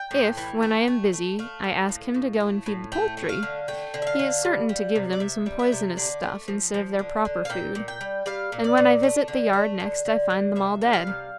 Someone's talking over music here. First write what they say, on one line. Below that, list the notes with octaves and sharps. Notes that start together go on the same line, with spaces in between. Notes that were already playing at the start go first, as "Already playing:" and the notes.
If, when I am busy, I ask him to go and feed the poultry, he is certain to give them some poisonous stuff instead of their proper food, and when I visit the yard next I find them all dead.
Already playing: G5
A2
E3
A3
A3
A3
A3 F5
A2
A2
A2
A3
A2
A3 G5
A3
F5
D3
A3 G5
D3
E5
F5
D3
G3
G3
C3
D5
C3 E5
G3
E5
C3
D3 D5
A3
F3
F3
D3
D3
F5
A#2 G5
A#2
G5
G3
G3 F5
A#2
D5
A#2
A3
D3
A3
D3
D3
D3
C3 E5
G3
F5
C3